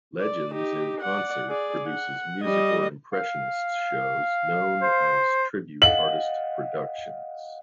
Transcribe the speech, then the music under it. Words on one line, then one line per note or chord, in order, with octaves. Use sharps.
Legends In Concert produces musical impressionist shows known as tribute artist productions.
D5
D#4 G4
D5 F#5
G#4 D5
F#5
G3 D#5
F5
C5
D#5 F5 F#5 F#7